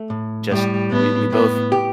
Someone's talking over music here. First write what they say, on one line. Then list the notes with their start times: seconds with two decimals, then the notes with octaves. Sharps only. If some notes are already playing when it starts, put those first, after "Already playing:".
just we we both
Already playing: A3
0.10 A2
0.50 A2 G3
0.91 A2 B3
1.32 A2 B3
1.72 G4